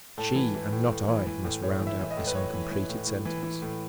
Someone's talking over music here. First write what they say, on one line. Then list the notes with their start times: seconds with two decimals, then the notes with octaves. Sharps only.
She and not I must round out this uncompleted sentence.
0.17 A2 A4
0.35 E3
0.55 E3
0.73 A2
0.90 A2
1.08 E3
1.27 E3
1.45 A2
1.62 A2 C#5
1.81 E3
1.87 E5
1.99 E3
2.11 D#5
2.17 A2
2.27 B4
2.35 A2 C#5
2.53 E3
2.71 E3
2.89 A2
3.07 A2
3.25 E3
3.43 E3
3.62 A2